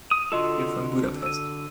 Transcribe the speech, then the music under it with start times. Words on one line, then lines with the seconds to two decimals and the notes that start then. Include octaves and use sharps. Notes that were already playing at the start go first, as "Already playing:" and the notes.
We’re from Budapest.
0.11 D#6
0.32 D3 F4 F#4 A4 D#5 C6
1.22 E6 D#7